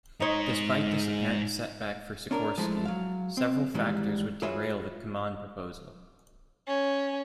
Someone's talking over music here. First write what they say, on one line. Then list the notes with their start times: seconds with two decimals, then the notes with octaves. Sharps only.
Despite this apparent setback for Sikorsky, several factors would derail the Kaman proposal.
0.20 G#2 D#4 C#5 C6
2.31 C#4 D4 A#4
2.58 F3 G#3 A3 E4
2.85 F#3 F5
3.37 C4
3.74 G#2 D#3 E3 G3
4.42 F4 F#4 G#4 B4 C#5 E5
6.68 C#4